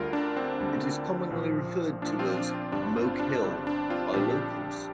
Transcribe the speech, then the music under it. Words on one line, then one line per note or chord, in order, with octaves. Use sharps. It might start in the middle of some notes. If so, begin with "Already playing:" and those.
It is commonly referred to as "Moke Hill" by locals.
Already playing: D2 D3 G3 F4 A#4
D4
C4
D2 D3 G3
A#1 A#2 F3
A#1 A#2 F3 D4
C4 F4
D4
C4
G1 G2 G3 D4
C4 F4
D4
G1 G2 G3 C4
D4
C4 F4
A#1 A#2 G3 D4 G4